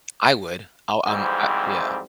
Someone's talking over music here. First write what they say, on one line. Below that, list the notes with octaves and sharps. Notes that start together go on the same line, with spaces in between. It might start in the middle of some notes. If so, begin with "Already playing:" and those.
I would. I'll, um, I yeah.
F2 G#2 E3 G3 C4